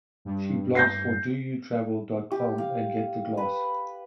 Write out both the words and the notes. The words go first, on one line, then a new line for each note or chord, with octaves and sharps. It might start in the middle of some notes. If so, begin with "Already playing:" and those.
She blogs for doyoutravel dot com and Get the Gloss.
G2
G6 A#6 C7
G4
F5
B4